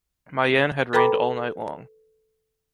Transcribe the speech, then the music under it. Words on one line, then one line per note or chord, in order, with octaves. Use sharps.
Mayenne had rained all night long.
A4 B4 G5 A#5 B5 D6